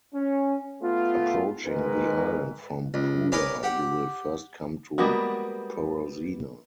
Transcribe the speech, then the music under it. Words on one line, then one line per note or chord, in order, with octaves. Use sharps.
Approaching the island from Pula, you will first come to Porozina.
C#4
A3 B3 F4
G#2 D#3 G#3 A#4 B4
C#2
A#4 B4 C#5 D#5 G#5 D6
G4 F#5
G3 G#3 A#3 B3 F#4